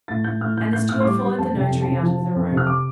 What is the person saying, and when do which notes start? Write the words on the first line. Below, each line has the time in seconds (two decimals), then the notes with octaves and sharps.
And the steward followed the notary out of the room.
0.08 A2 A6
0.24 A2 G6
0.41 A2 F6
0.57 A2 G6
0.73 A2 G6
0.89 A2 F6
1.00 C6
1.05 G3 D6
1.21 G3 C6
1.38 F2 A5
1.55 C3
1.60 G5
1.71 F2
1.82 A5
1.87 C3
2.03 F3
2.18 F3
2.35 F2
2.51 C3
2.57 F6
2.67 D6